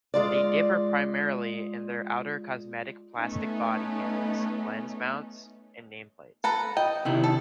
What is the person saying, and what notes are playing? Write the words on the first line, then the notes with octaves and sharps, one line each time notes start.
They differ primarily in their outer cosmetic plastic body panels, lens mounts and nameplates.
G#3 F4 D5
A3 B3 C#4 D#4
A4 B4 A#5
D#5 G5
C3 D#3 E4
A4